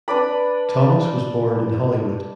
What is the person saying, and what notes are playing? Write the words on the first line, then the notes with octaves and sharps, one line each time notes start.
Thomas was born in Hollywood.
D4 B4 D5 B5